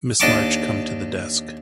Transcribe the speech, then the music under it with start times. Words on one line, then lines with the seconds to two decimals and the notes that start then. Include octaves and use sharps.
Miss March, come to the desk.
0.20 D#2 D4 D#5 A5 C#6 D6